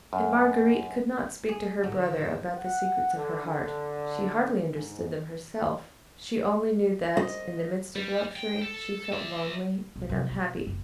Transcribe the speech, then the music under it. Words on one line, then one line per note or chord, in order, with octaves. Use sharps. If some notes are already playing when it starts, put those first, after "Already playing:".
And Marguerite could not speak to her brother about the secrets of her heart; she hardly understood them herself, she only knew that, in the midst of luxury, she felt lonely and unhappy.
F#2
G#4
A2 D3 F#3 A#5 E6
F#5
D3
D3
G#2
D#5
G3
G5
A4
D5 E5
B1
C3
B2
F#1